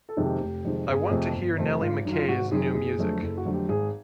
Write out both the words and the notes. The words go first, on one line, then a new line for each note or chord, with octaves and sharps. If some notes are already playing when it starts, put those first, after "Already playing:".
I want to hear Nellie Mckay's new music.
A4
F2 C3 D#3 G#3
G4
F1
F2 C3 D#3 G#3
G1 G#4
F2 C3 F3 A3
G1
F2 C3 F3 A3
G#1 F4
F#2 D#3 F#3
F4
G#1 F#4
F#2 D#3 F#3 G#4
F#1 G#4
F2 D3 F#3 A3
F#1 A4
F#4
F2 D3 F#3 A3
G4
G#1 G#4